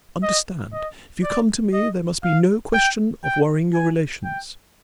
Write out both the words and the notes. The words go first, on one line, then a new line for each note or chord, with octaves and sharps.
But understand, if you come to me, there must be no question of worrying your relations.
D#5
D#5
D5
D#5
F5
G5
G5
G#5
G5